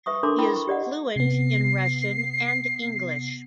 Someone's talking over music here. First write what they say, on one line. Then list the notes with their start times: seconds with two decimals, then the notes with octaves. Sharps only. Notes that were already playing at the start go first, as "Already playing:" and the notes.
He is fluent in Russian and English.
0.06 B4 E5 C#6 D#6
0.23 D4 A4 A#4 A#5 C6 D6
0.39 E4 A#4 G5 B5 E6
0.56 C#6
0.67 G4 D5 D#5 F#5
1.16 C3 B3 C7